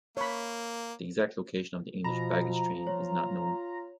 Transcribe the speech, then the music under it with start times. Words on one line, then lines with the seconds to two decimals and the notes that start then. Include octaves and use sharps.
The exact location of the English baggage train is not known.
0.17 A#3 C#5 B5
2.04 B2 F3 A#5 B5
2.87 F4 C#5